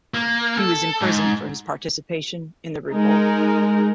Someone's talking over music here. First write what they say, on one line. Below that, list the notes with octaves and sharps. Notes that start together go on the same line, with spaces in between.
He was imprisoned for his participation in the revolt.
A#3
A4
G#2
G#3 D#4 A#4